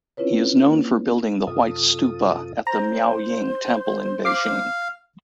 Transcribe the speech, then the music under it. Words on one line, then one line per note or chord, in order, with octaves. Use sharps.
He is known for building the white stupa at the Miaoying Temple in Beijing.
C4 C#4 E4 F4 B4 C#5
A#3
F#2 C3 F4 A4 D#6
C5 A#5
F5 D6 C7